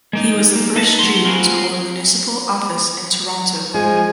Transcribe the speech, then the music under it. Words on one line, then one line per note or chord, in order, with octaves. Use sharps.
He was the first Jew to hold municipal office in Toronto.
G#3 A#3 D#4
A#3
A#3 D#4 B4 D#5 E5 A5
F#3 A3 C6
C4 F4 F#4 G#4 A#4 B4
F3 G#3 G#5